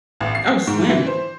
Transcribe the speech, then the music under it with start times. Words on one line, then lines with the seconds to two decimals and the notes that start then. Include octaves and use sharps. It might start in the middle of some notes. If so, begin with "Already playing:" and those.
Oh, swim.
0.20 A1
0.35 C7
0.67 G#2
0.89 E3
1.07 C5